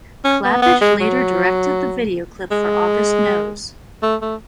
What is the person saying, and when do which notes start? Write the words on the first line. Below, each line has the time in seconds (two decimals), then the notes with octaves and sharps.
Klapisch later directed the video clip for "August Knows".
0.25 C#4
0.44 B3
0.62 B3
0.81 G#3
1.01 F#3
2.51 G#3
4.02 A3
4.22 A3